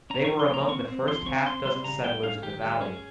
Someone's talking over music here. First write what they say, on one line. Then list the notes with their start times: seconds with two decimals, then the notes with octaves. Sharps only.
They were among the first half dozen settlers in the valley.
0.10 C#4 A#5
0.25 C#6
0.30 F3
0.39 C6
0.49 A#3 A#5
0.68 C4 C#6
0.88 C4
1.07 F3 C6
1.26 C4 C#6
1.46 C4 C6
1.65 G3 C6
1.84 C#3 A#5
2.04 G3 G5
2.23 C#4 F5
2.43 D#3 G4
2.61 G#3 G4
2.81 C#4 G#4